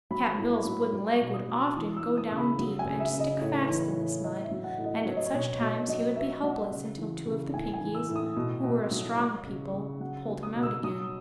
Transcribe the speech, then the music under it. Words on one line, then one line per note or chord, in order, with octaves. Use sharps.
Cap'n Bill's wooden leg would often go down deep and stick fast in this mud, and at such times he would be helpless until two of the Pinkies--who were a strong people--pulled him out again.
F#3 B5
A2
F#3
F#3
C#6
B2
D#6
F#3
E6
E3 D#6
E6
E3
D#6
C#3
B5
F#3
G#5
C#3
E5
C#3
D#5
A2 C#5
B4
E3
C#5
A2
C#5
A2 D#5
E5
F#3
F#5
A2
D#5
F#3 C#5
D#5
C#5
B2
B2
F#3 D#5
F#3 E5
F#3 F#5
C#3
E3
C#3
A2 G#5
G#5
E3
E6
A2
D#6
B2
B2
F#3
F#3 C#6
C#3
C#3
F#3 F#5
F#3
D#6
B2
E6
F#3 D#6